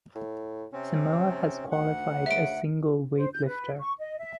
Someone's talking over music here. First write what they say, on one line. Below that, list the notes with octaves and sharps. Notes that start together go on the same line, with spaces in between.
Samoa has qualified a single weightlifter.
A2
C3 C4 C#4
D2 F#5
C#3 E5 D7
C5
G6
B4
C#6
D#5
E5